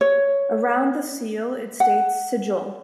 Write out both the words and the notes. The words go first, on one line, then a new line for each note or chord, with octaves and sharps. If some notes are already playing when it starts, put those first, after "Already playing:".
Around the seal it states Sigill.
C#5
F#5